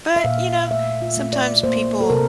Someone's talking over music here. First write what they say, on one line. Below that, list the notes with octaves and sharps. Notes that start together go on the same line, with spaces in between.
But you know, sometimes people
E5
A#2 F5
A3 E5
F4
A3
D5
A#3 C5
A4
C3 A#4